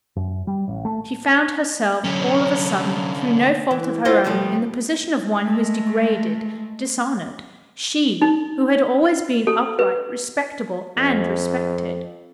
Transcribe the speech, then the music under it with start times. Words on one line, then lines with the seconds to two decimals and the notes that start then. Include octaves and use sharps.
She found herself all of a sudden, through no fault of her own, in the position of one who is degraded, dishonored; she, who had always been upright, respectable, and respected.
0.16 F#2
0.47 G3
0.68 A1
0.85 A3
2.04 D3 F#3 C#4
3.71 E3
4.05 E4 F4 B4 C5 D#5 F#5
4.24 D#2 B2 F3 G3 A3
5.39 G#3 A3
8.22 D#4
9.47 A4
9.79 B4
10.97 F2